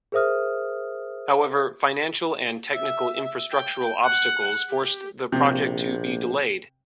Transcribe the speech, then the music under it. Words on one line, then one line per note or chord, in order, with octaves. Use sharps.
However financial and technical infrastructural obstacles forced the project to be delayed.
G#4 A#4 C5 E5 D#6 F6
E5
G5
F#5
G4
A#1 C3